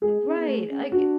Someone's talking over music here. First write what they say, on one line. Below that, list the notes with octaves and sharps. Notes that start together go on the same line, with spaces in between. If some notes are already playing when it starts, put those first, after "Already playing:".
Right, I g
G#3 G#4
C#4
B3
A3
C#4
D4 F#4